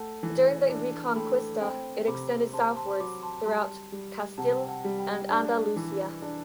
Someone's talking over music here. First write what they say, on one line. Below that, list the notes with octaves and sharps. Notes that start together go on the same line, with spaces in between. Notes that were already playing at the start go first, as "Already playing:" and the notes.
During the Reconquista, it extended southwards throughout Castille and Andalusia.
Already playing: A3 F#5 A5
E3
D4
C6
A3 G5 B5
C4 G5 B5
C3 B5 D6
C4 A5 C6
A5 C6
C6
F#3 B5 D6
A5 C6
G3 A5 C6
G3
C3 F#5 A5
G5
F#5 A5
G3
G5 B5
D4
E3
D4